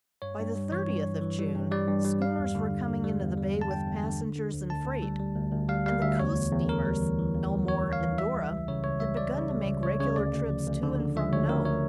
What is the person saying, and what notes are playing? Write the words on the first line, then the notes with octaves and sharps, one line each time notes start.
By the thirtieth of June schooners were coming into the bay with passengers and freight, and the coast steamers, "Elmore" and "Dora," had begun to make regular trips to and from Nome.
G2 C#5
G2
G3
E3 C#5
G2
G2
E3
G3
G2
G3 D5
G2
G3
G3 F5
E2
D3
D3
D3
G3
E2
G3
G3
A5
D3 G5
E2
D3
D3
D3
D2
D2 A5
D2
G3
G3
D2
D2
G3 F5
G3 F5
D2 E5
E2 C#5
E2
E2
E2 A#4
G3
E3
E3
E2
E3
E2 C#5
E2
F5
E3
G3 E5
C#2
C#2
C#3 C#5
C#2 C#5
G3 E5
C#2 D5
C#3
G3
C#2
C#2 C#5
C#3 C#5
D2 D5
D2
F3
D2
D3
D3
F3 E5
D2 C#5
D2 A#4
C#5